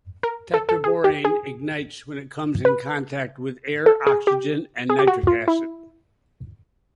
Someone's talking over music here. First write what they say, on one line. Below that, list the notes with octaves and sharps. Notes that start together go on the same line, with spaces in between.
Tetraborane ignites when it comes in contact with air, oxygen, and nitric acid.
A#4
A4
A4
G#4
G4
G#4
B4
A4
G#4
G4
G#4
G4
F#4
F4
E4